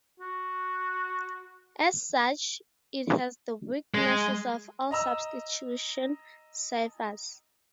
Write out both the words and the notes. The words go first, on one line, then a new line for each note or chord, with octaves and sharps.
As such, it has the weaknesses of all substitution ciphers.
F#4
G#3
D#5 A#5 E6